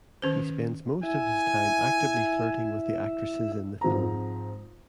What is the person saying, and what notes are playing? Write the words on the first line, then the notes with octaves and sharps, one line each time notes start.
He spends most of his time actively flirting with the actresses in the film.
D#3 C#4 C5
E4 E5 G#5
G#2 F3 C4 A#5